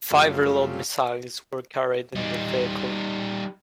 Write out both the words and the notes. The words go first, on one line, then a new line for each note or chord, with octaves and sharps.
Five reload missiles were carried in the vehicle.
F#2 C#3 G3 A3 F4
G3 D#4